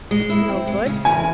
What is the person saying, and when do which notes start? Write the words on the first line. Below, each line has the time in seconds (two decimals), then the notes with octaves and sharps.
"It's no good."
0.11 G#3
0.29 E4
0.48 C4
0.67 G#3
0.86 C#3
1.05 E2 G#5